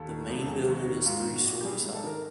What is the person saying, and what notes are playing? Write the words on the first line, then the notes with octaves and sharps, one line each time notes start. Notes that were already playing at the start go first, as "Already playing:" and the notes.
The main building is three stories high.
Already playing: D#2 A4
D#3
E1
A4
F#3 G#4
D#2
F#4
D#3
G#2 F4
D#3
F#4
A#1
G4
G3 G#4
G#2
A4
D#3 A#4